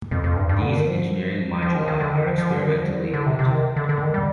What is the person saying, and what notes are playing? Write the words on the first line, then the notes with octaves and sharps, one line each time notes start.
These engineering moduli are experimentally determined.
F2
F2
G2
G2
D3
D#3
F3
F3
D#3
D#3
D3
D#3
F3
F3
D3
D#3
F3
G3
F3
D#3
D3
C3
C3
D#3
D3
D3
D#3
G3